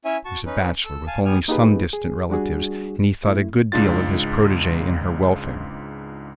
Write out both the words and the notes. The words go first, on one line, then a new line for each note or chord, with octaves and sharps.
He was a bachelor, with only some distant relatives, and he thought a good deal of his protegee and her welfare.
C#4 E4 C#5 E5 G#5
F#4 A5 C#6
C#4 D#4 B4
A4 E6
F5 G#5 A5
B3 G4 G#5 F6
A#3 D#4 F4 G4 G#4 B4
G#4
G3 D4 F#4 G#4
A3 E4
C#2 G#2 D4 F4 A6